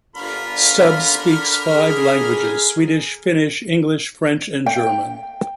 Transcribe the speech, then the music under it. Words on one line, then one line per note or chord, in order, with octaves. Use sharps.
Stubb speaks five languages: Swedish, Finnish, English, French and German.
G1 D3 F4 A#4 B5
G#4
G5